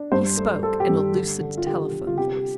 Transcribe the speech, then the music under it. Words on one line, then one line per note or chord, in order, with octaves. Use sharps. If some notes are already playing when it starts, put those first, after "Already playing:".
He spoke in a lucid telephone-voice.
Already playing: D4
G2 C5
A3
A3 A4
G4
G2
D3
D3
F4
D3 G4
D3
F4
C3 G4